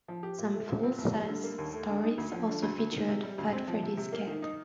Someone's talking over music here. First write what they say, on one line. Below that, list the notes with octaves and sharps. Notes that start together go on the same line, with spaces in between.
Some full-size stories also featured Fat Freddy's Cat.
F3
G4
A#2
A3
A#2
C4
C2
G3
D3
A#3
D#2
A3
D3
D#4
D2
F3
D3
D2
D2
D#3
C3
G3
D2
C4
F3
C3
C3
A#3
D#3
D#4